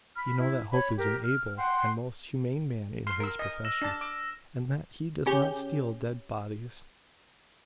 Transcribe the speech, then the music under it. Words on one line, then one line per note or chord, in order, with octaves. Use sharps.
You know that Hope is an able and most humane man in his profession, and that he does not steal dead bodies.
B5 F6
E4
C#5 B5
G4 A#4
F6
F#5 G5 C6
C6 F6
A#4 E6
D#5
E6 A#6 E7
D4 A5
D6
C#3 C#4 G4 G6